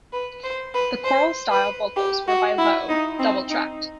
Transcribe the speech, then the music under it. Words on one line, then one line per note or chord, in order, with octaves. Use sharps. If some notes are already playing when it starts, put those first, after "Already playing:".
The choral-style vocals were by Lowe, double-tracked.
B4
C5
B4
C5
B4
G4
F#4
E4
D#4
C4
D#4